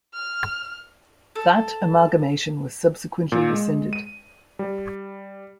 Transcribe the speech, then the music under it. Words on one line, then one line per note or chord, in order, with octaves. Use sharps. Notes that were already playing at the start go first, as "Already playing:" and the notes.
That amalgamation was subsequently rescinded.
F6
A4
A#2
G#3
D#7
G3